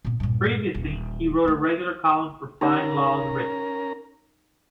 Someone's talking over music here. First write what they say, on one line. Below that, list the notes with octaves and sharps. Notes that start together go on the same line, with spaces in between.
Previously, he wrote a regular column for FindLaw's Writ.
A#2 B3
G2 A#2
D#1 E3
A3 D#4
C#4 D#4 G4 A#4 C#5 A#5